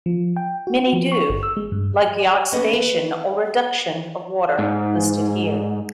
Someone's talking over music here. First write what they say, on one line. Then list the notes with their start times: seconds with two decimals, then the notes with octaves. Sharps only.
Many do, like the oxidation or reduction of water listed here.
0.06 F3
0.36 G5
0.67 F#4
0.93 F3
1.12 C#6
1.29 G1
1.43 E6
1.57 G#3
1.72 G2
2.52 A#3 B3 C#4 B4 D#5 F#5
2.73 B4
4.59 G#2